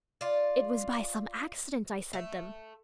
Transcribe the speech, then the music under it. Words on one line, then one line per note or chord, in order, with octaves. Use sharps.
It was by some accident I said them....
F4 D5
A3